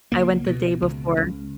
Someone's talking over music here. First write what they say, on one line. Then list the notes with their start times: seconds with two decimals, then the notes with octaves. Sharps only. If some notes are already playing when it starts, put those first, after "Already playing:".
I went the day before.
0.11 C#2 A#3
0.46 B2
0.82 C#2
1.17 C#2